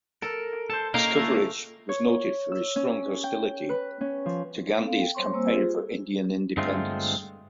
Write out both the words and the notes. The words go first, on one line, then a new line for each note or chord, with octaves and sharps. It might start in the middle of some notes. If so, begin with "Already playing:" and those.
His coverage was noted for his strong hostility to Gandhi's campaign for Indian Independence.
A4 A#4
A4 C5 A5
A#3 C#4 D#4 A#4 D#5 F5 G5
C#3 A3 F4 E6
C#5
E6
C#4
G5
B4
C#4
F3
B3 C4 A4 F5
G5
G3 C5 C#5 C6 C#6
G3 A#3 C4 C5 G#5 E6
F4 G4 G#4 C5
G2 D3 G#3 A3 C4 F4